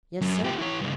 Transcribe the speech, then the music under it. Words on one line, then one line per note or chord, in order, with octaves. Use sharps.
"Yes, sir."
F#2
F3 G4
E3 C#5
G2 C#3